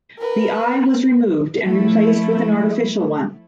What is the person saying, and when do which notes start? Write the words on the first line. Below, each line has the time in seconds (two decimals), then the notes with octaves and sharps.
The eye was removed and replaced with an artificial one.
0.18 A#4 B4
1.61 F3 A3 E4